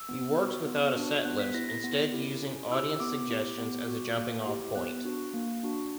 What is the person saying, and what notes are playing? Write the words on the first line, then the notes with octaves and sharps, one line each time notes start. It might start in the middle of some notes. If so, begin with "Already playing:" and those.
He works without a set list, instead using audience suggestions as a jumping-off point.
Already playing: E6
B3
F#4
B3
D4 F#4
B3 F#6
B6
E4 G4 A#6
A#6
B3
E4 G4
C#4
E4 G4 E6
B3 D6
E4 G4
B3
F#4
A#3
E4 G4
B3 F#6
D4 F#4
A#3
D4 F#4